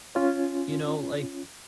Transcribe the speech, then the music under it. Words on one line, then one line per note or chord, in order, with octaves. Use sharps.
you know, like
C#4 F4 C#5